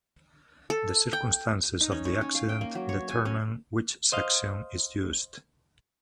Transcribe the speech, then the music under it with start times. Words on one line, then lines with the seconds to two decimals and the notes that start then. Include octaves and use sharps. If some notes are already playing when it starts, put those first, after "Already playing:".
The circumstances of the accident determine which section is used.
0.70 A4
1.13 G5
1.80 D#4
1.92 C#4
2.05 C#5
2.21 C#4
2.35 F5
2.49 G5
2.61 A#3
2.75 F#3
2.89 C#5
3.10 G#5
3.25 C#4
4.12 C5 D#5 F5